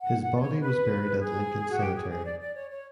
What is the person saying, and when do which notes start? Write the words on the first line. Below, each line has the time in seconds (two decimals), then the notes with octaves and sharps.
His body was buried at Lincoln Cemetery.
0.01 F#5
0.20 F#5
0.36 D5
0.40 C#5
0.60 B4
1.20 G#4
1.68 F#4
1.80 G4
1.95 G#4
2.10 G#4
2.25 D5
2.40 D5
2.55 C#5
2.70 C#5